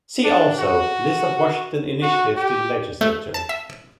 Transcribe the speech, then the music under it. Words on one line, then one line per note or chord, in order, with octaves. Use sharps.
See also List of Washington initiatives to the legislature.
D4
F#4
F#4
G4
A3
A5
E5